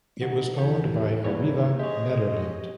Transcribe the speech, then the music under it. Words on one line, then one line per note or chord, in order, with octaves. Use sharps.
It was owned by Arriva Nederland.
D#3 F#4
D#2 E3 G4 A4
E2 F#3 A#3 C#5
G#3 G4 G#4 C#5 D#5